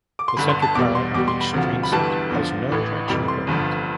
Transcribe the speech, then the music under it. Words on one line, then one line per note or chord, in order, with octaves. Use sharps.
The centre car of each trainset has no traction equipment.
D6
C6
G1 G2 D3 B5
C6
A5
E2 B2 G3 D6
C6
E2 B2 G3 D6
C6
B5
E1 D2 C3 F3
B5
G1 G2 E3 G3 A5
E2 D3 F3
A1 A2 E3
F1 F2 E3 G3 B5
C6
G1 G2 D3 F3